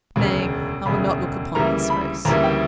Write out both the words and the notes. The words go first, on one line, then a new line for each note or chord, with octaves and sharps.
Nay, I will not look upon his face.
E1 D2 C#3
E1 D2 C#3 B5
D2 C#3 E3 G3 A#3 A#5
B5
D2 C#3 E3 G3 A#3 A#5
G5